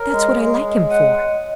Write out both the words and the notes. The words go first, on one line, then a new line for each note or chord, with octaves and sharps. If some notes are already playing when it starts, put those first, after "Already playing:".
"That's what I like him for."
Already playing: A#4 C#5
G#3
G#3
G#3
D#5 F#5